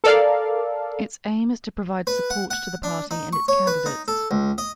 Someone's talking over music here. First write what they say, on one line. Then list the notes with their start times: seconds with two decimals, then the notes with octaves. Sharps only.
Its aim is to provide support to the party and its candidates.
0.04 A4 A#4 D5 F5
2.07 B4
2.30 F#5
2.50 F#5
2.83 D4
3.11 D#4
3.33 C#6
3.48 C#5
3.67 B4
3.86 D#4
4.08 A4
4.31 C#2
4.58 D#5